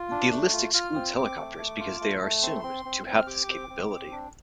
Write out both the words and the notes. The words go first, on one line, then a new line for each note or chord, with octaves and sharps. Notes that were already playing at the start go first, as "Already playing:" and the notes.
The list excludes helicopters because they are assumed to have this capability.
Already playing: F4
D4
A3
F4
F4 F6
C4
C4 D6
A3
A3
F4
A3
A3
C4 C6
C4
C4
C4
F6
G4 D6
C4
C4
C4
D4